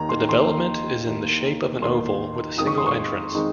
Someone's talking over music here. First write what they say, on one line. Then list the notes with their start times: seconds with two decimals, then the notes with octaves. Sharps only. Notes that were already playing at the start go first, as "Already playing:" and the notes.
The development is in the shape of an oval with a single entrance.
Already playing: D#2 D#3 A#3 D#4 A#5
0.09 C6
0.28 D#2 D#3 A#3 D#4 C6
1.05 D#2 D#3 A#3 D#4
1.82 D#2 D#3 A#3 D#4 C6
2.58 F2 D#3 G#3 C4 D#4 D#6
2.67 C#6
2.78 C6
2.86 C#6
3.35 D#3 G#3 C4 D#4